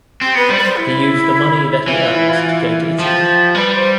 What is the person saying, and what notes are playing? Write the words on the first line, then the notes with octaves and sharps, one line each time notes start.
He used the money that he earned to go to Italy.
C4 G4
B3 B4
G3 C5
B4
C5
E4
E3 F4
F4
E4
F4
F3 G4
G3 B4
C5